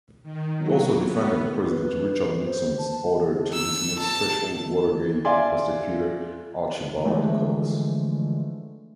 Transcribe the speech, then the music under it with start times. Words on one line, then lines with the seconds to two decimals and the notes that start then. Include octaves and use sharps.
He also defended President Richard Nixon's order to dismiss special Watergate prosecutor Archibald Cox.
0.23 D#3
0.57 F#3
1.03 B3
1.69 B4
2.46 C5
2.78 A5
3.53 E6
3.99 A5
5.25 D5 E5 F5 G#5 C6
7.05 D3 E3 F3 G#3 A3